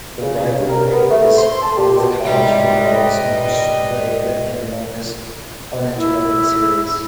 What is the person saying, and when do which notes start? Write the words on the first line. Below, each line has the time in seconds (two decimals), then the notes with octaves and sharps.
The Rivalry is both college football's most-played and longest uninterrupted series.
0.21 C#3
0.58 G2
0.69 A#4
0.92 B3
1.10 A3
1.38 C6
1.62 A5
1.77 G4
1.97 B2
2.25 G#2 C3 D5 G5
2.71 B4 D#5
5.96 E4